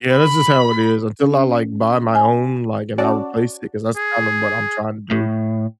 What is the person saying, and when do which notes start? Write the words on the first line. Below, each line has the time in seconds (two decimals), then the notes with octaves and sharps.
yeah, that's just how it is, until I like buy my own, like, and I replace it, 'cause that's kind of what I'm trying to do,
0.13 B5
1.20 C#4
2.15 G#5
2.98 C#4 F#4 D5 A5
3.96 G#4
5.11 A2